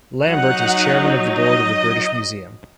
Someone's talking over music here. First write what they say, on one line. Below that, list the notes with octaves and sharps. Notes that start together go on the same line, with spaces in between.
Lambert is Chairman of the board of the British Museum.
F#3 D#4 F#5
D#5